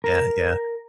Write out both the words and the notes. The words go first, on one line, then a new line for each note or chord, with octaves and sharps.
yeah, yeah.
A#4